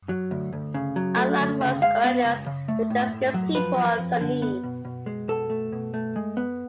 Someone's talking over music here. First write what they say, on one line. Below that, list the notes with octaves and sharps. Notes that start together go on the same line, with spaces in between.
Unlike most Iranians, the Dezgan people are Sunni.
F#3
D2
D2
C#3
F#3
A3
D2
C#3
G#3 F5
B3
C#2
C#3
A3
A2
A2
F#3
F3 B4
F2
F2
D3
B3
B2
B2
G#3
B2 A4
A3
B2
A3
G#3
B3